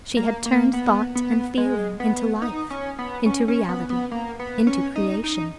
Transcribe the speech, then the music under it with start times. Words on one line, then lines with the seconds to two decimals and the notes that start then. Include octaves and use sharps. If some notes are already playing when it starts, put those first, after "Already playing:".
She had turned thought and feeling into life, into reality, into creation.
0.17 A#3
0.46 A#3
0.73 B3
1.15 B3
1.57 G#3
2.00 B3
2.42 D#4
2.70 C#4
2.99 B3
3.26 C#4
3.48 C#4
3.69 B3
3.90 B3
4.11 A#3
4.39 B3
4.67 C#4
4.96 D#4
5.24 D#4